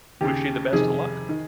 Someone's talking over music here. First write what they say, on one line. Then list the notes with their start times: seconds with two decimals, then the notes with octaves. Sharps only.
wish you the best of luck.
0.21 D#2 C#3 G4
0.73 F2 C3 D#3 G#4
1.29 D#3